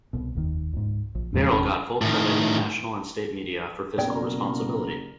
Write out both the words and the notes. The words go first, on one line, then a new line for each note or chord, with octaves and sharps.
Merrill got full credit in national and state media for fiscal responsibility.
C2 B2
F1 D#2 D#3
C#2 G#2
A#1
E2 A#2 F3 G#3
F#1 E2 C3 C#4
A2 D#3
F#1 B2 A#4 D5 G5